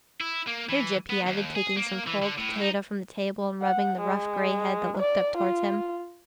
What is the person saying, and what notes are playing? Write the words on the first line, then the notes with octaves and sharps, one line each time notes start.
"Here, Gyp," he added, taking some cold potato from the table and rubbing the rough grey head that looked up towards him.
E4
A#3
E3
B3
D#2
G#4
A#3
E3
D3
A2
D#4
F#5
G#3
D5
F4